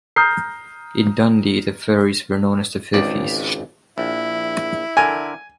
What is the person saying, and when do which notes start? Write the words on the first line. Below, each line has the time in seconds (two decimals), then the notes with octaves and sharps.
In Dundee, the ferries were known as "the Fifies".
0.16 A#5 D#6 F6 G6 C7
2.94 G#1 C#2 D5
3.98 A#1 E4
4.97 D3 A#4 G#5